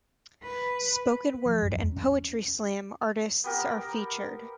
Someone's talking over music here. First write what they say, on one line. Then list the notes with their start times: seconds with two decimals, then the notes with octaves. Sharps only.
Spoken word and Poetry Slam artists are featured.
0.43 B4
1.46 F3
1.62 F#2
1.75 E2
1.92 C#4
2.08 C#4
3.44 B3 G4 A#4